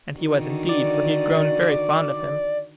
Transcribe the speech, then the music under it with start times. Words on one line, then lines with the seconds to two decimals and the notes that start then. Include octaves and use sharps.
And he was indeed, for he had grown very fond of him.
0.15 D3 D#3 F#4
0.69 D5